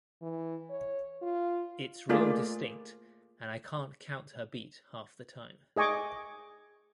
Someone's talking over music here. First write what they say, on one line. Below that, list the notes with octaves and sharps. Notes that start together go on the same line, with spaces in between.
It's real distinct, and I can't count her beat half the time.
E3
C#5
F4
A3 A#3 F4 G#4 D5
G#4 D#5 G#5 C#6 D6